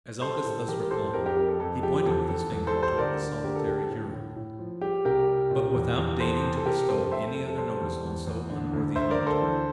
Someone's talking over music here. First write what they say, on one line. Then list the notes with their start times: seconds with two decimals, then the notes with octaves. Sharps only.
As Uncas thus replied, he pointed with his finger toward the solitary Huron, but without deigning to bestow any other notice on so unworthy an object.
0.21 G3 A4 C5
0.45 A2 A4
0.67 E3 G4 A#4
0.80 A#4
0.91 A2 A4 C5
1.13 F2 G4 A#4
1.26 G4 A#4
1.37 F2 G4
1.48 A4
1.60 F2 A4
1.83 F3 G4
2.06 E2 A4
2.29 E2 A4
2.52 E2 A4
2.67 A4 C5
2.75 G3
2.83 A4 C5
2.97 D2 A#4 D5
3.21 D2
3.43 D2 G4 A#4
3.56 A4
3.67 D2 G4
3.78 A4
3.90 A2
4.13 A2
4.36 A2
4.59 F3
4.81 G3 G4
5.05 C2 G4 A#4
5.28 G3
5.51 A#2
5.75 E2
5.98 E2
6.20 E3 A4 C5
6.43 C3
6.57 A4
6.66 G3 G4 A#4
6.88 F2 A4 C5
7.11 G3 C5 E5
7.23 A4
7.34 F2 A4
7.46 A4
7.58 G3 A4 C5
7.81 E2
8.04 E2
8.27 E2
8.50 D3
8.73 D2
8.96 D2 C5 E5
9.11 A#4 D5
9.19 D2
9.26 A4 C5
9.42 E3